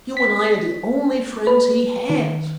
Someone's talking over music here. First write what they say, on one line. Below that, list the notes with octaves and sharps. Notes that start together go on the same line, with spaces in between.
You and I are the only friends he has.
B6
B4
D#3